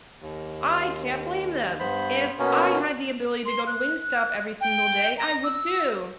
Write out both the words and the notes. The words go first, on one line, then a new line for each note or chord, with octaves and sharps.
I can't blame them. If I had the ability to go to Wingstop every single day, I would too.
D#2
G2 B3 C5 B5
B2 A#3 B3 C#4
C6
F#6
G5
A#5
E6